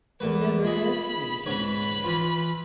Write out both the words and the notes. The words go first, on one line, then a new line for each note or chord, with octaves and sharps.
"You never asked me," he returned.
E2 A#3 A4 B4
F4 G#4 B5
G#2 B4 C#5 B5
E3 F4